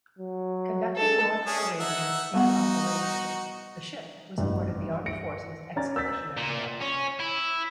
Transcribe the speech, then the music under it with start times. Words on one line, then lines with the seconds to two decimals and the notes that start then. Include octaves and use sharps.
Conducting North Arabian Sea operations, the ship was awarded the Armed Forces Expeditionary Medal.
0.19 F#3
0.96 G#3 A4
1.46 C#4 D4 G#4
1.80 D#4 E5 F#5
2.34 G3 B3 D#4 F#4 F#5
4.38 A1 G2
5.06 A#6 C#7 D7
5.76 C#4 D5 A#5 A6
5.96 E6 G6 A6 B6
6.37 A#2
6.82 C#4
7.20 E4